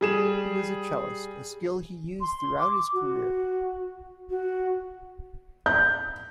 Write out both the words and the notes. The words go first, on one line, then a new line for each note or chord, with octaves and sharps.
He was a cellist, a skill he used throughout his career.
G3 G#4 E7
C6
D6
F#4
F#4
G6